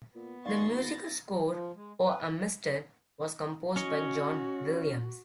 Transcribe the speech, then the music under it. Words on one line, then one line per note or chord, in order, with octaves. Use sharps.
The musical score for "Amistad" was composed by John Williams.
A#2 B3
D#2 D5 F5 C6 C#6 A6
F4 A6 A#6
F3
G#3
B4
C#4 F#4 C#5 D#5